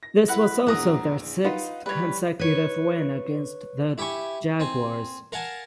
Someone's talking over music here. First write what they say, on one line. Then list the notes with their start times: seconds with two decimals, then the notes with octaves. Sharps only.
This was also their sixth consecutive win against the Jaguars.
0.03 A#6
0.28 E4 B4 F#5
0.67 A#1 E2 F#5 A#5 D#6
1.44 D#4 F4 B4 F#5
1.86 G3 B4 C#5
2.39 B4 C#5
3.98 E4 G4 G5 G#5 C#6
4.60 C4 G#5
5.32 A#4 F5 F#5 G#5 A5